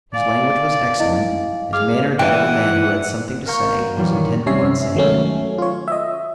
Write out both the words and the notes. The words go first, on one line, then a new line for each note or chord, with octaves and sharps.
His language was excellent, his manner that of a man who had something to say and was intent upon saying it.
D5 F5 G#5
E4 D#5
G#4 F5 D6
E3 E5 F#5 G5
A#4 F5 A#5 C#6 G6
F#4
A#2 E3 F#3 G3
A#2 D#3
C3 G3 C#4 C#5 E5 C7
D#3 F#3 G#3 A3 C#4
F4 C#5
D#5 E5